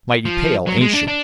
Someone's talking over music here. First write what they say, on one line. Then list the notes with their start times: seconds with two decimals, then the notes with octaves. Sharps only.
"Mighty pale, ain't she?"
0.25 F3
0.66 F#3
0.81 G#3
0.94 D4
1.08 D4